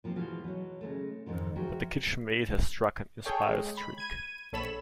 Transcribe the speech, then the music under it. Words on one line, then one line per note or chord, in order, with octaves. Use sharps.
But the kitchen maid has struck an inspired streak.
A#2 F3 G3 C4
B2 E3 F3 G#3 F4
B2 F#3
C#3 G#3 A3
F2 G#2 D#3 F3
F3 F#4 G#4 A#4 E5 G5
G#4 A4 C#5 G5
G#3
B5
G#6 D#7
A#1 A4 C#5 B5 E7